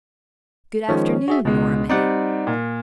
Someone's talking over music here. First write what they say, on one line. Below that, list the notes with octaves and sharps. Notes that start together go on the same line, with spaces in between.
Good afternoon, Nora May.
D#3 F3 G#3 C#4
F#4 G#4 E5
C#2 B2 G#3
G3 C4 D#4 D5 F#5
A#2